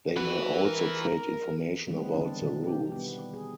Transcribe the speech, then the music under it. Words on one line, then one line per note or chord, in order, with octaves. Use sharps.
They may also trade information about the rules.
E3 F#4 B4
A#4
D#3 E3 G3 G#3 B3 C4
D3 C4 D4
B2 D#3 E3
G4
G3 B3
G#4